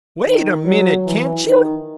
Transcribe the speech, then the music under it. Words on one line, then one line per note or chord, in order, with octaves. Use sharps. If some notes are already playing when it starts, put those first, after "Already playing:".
"Wait a MINUTE, can't you?"
D#3
F#3
E3
D#3